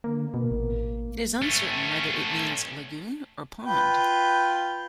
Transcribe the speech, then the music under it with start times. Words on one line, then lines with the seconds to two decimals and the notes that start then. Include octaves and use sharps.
It is uncertain whether it means lagoon or pond.
0.04 D3 A#3
0.34 B2 A#3
0.51 A1
1.42 A3 C#4
3.64 F4 B4 G5